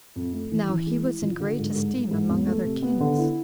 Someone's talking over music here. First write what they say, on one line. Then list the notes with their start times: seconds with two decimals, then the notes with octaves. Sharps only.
Now he was in great esteem among other kings.
0.16 F2
0.33 A3
0.51 E3
0.69 E3
0.87 G#3
1.04 E4
1.22 F3
1.40 D3
1.58 G#2
1.76 G#2
1.94 G#2
2.11 G#2
2.30 E2
2.47 A3
2.65 C3
2.82 B3
3.00 D3
3.18 E4